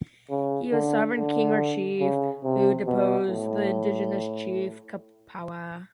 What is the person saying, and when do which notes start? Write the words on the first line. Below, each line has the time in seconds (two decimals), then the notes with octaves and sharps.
He was sovereign king or chief, who deposed the indigenous chief, Kapawa.
0.30 C#3
0.72 D3
1.15 D3
2.00 C#3
2.43 C3
2.86 B2
3.28 A2